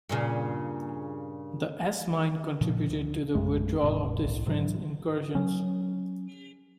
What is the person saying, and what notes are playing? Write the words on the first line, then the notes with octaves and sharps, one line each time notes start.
The S-mine contributed to the withdrawal of these French incursions.
G2 A#2 C#3
A#2 C#3 F3
D2
A#1 F#2 G#3 A3
D#1 G#2 C3
G1 C2 A2
G#2 C3 E3 F#3
F#3 C#4